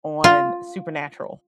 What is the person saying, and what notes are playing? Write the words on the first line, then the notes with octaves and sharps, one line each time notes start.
on Supernatural.
F4